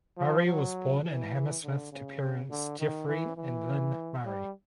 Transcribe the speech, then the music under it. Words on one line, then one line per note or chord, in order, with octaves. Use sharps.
Murray was born in Hammersmith to parents Geoffrey and Lynne Murray.
F3
F#3
E3
D3
C#3
D3
D#3
E3
E3
G3